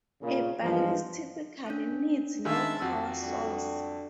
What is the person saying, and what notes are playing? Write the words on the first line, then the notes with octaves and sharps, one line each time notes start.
A balise typically needs no power source.
A#2 C#3
G2 E3 F3 G#3 B3 F4
C#4 D4
D#3 G#3 E5 F5 A5
F2 F3 F#4 G4 F#5
D3 G3